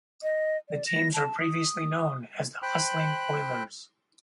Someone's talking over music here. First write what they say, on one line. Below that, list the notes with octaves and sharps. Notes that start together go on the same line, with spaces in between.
The teams were previously known as the Hustling Oilers.
D#5
D5
A#6
A5
D#6
C5 G5 B5 F#6